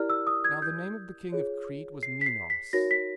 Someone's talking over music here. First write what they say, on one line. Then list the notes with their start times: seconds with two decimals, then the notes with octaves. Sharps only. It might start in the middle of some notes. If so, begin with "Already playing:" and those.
Now the name of the King of Crete was Minos.
Already playing: E4 G4 A#4 D5 F6
0.10 E6
0.27 D#6
0.44 G#6
0.62 G6
1.32 F4 G#4 C#5
2.03 C7
2.21 B6
2.26 C7
2.50 B6
2.73 D#4 F#4 A#4 C#5 A#6
2.91 B6